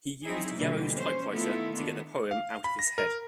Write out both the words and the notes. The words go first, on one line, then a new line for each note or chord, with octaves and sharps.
He used Yarrow's typewriter to get the poem out of his head.
F#3 C4 D#4 E4 G#4
B2 D3 E3 F3 G3 A#3
C#4 C5
D#3 A3 B3 E4 F4 A4
D#3 B3 D4
F5
B5
A#6
A#4